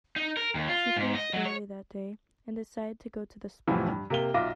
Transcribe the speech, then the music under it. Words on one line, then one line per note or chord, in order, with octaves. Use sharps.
She finished early that day, and decided to go to the spa.
D#4
A#4
D#2
F4
G#2
D#5
F#3
C#5
E2 A2 C3 E3 F3
G2
C3 A#3 G7
B1 F4 E5 D6 A#6